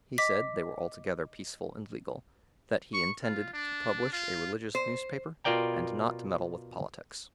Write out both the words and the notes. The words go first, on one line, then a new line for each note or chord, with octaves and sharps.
He said they were altogether peaceful and legal; that he intended to publish a religious newspaper and not to meddle with politics.
D#5 D6 B6
C#6
F4
D4
F4
C5
B2 F4 A#4 D5 G5 A#5